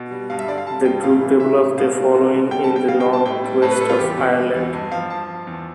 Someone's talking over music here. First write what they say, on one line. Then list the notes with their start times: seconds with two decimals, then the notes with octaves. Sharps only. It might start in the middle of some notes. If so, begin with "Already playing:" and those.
The group developed a following in the North West of Ireland.
Already playing: B2
0.11 G3
0.30 G2 F5
0.39 E5
0.48 D3 D5
0.58 F5
0.67 G3 A5
0.85 G2 G5
1.03 A2 F5
1.21 E3
1.40 G3 E5
1.59 A2
1.78 B2 F5
1.96 G3
2.15 B2
2.33 G3
2.51 B2 G5
2.64 A5
2.70 G3
2.76 G5
2.88 B2 F5
3.00 G5
3.07 G3
3.13 A5
3.26 A2 G5
3.44 G3
3.62 A2 A5
3.71 B4
3.81 G3 A4
3.89 F4
3.99 E2 G4
4.18 B2
4.36 G3
4.55 E2
4.73 G2
4.92 F3 F5
5.10 G2 A5
5.28 F3
5.47 E2